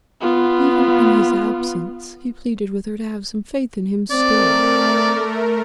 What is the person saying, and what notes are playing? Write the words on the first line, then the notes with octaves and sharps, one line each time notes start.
Even in his absence he pleaded with her to have some faith in him still.
B3 F4
A3 C4 A#4 D5